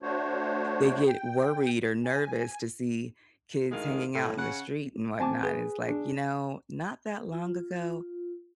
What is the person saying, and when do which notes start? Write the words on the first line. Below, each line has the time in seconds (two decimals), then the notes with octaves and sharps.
they get worried or nervous to see kids hanging out in the street and whatnot, and it's like, you know, not that long ago,
0.02 A3 D4 F#4 C5 C#5
1.06 G5
2.05 G#5
3.71 D2 A2 D#3 G#3 F5
4.15 A2
4.38 C#3 F#5
5.20 C4 G#5 A5 D6
5.43 G#4 B4
5.88 D4
7.32 F4